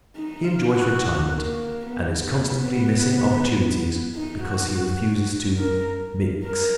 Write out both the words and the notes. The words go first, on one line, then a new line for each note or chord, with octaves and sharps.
He enjoys retirement and is constantly missing opportunities because he refuses to "mix."
D#4
F4
F#4
A#3
B3
B3
B3
D#4
F#4
F#4
A#4
A#4